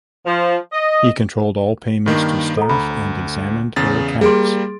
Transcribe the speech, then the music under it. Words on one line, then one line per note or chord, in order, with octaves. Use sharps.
He controlled all payments to staff and examined their accounts.
F3
D#5
G2 D#3 A#3
A4 A#5
D2 B5
E2 C#3 A6
G3 A#3 G#4 C6 D7